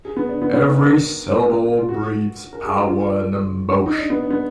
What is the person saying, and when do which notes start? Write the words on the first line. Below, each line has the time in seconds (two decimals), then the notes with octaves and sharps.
Every syllable breathes power and emotion.
0.05 G#4
0.17 B3
0.29 D4
0.42 B3
0.54 B3
0.66 D#4
0.79 A#4
1.78 F4
1.89 F#4
2.53 A#4
2.64 G#4
2.76 F#4
2.88 F4
3.86 D#4
3.98 D4
4.10 B3
4.23 D4
4.31 B3